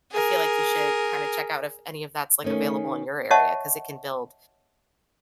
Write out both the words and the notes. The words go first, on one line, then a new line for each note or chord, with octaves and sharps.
I feel like you should kinda check out if any of that's, like, available in your area 'cause it can build,
G#4 A#4
D#3 A3 C#4
C#5 D#5 E5 F#5 A5 C#6